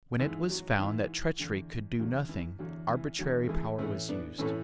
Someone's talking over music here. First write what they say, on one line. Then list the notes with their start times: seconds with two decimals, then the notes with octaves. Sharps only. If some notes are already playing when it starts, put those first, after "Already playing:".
When it was found that treachery could do nothing, arbitrary power was used.
0.19 G#2 E3 G#3
0.50 F#3
0.79 G#2 E3
1.39 E2 D3
1.99 E2 D3 F#3
2.29 E3
2.59 E2 D3 F#3
2.89 E3
3.19 E2 D3 F#3
3.44 A3
3.49 E3 G#3
3.79 A2 E3 C#4 E4
4.09 B3 D4
4.38 A2 E3 A3 C#4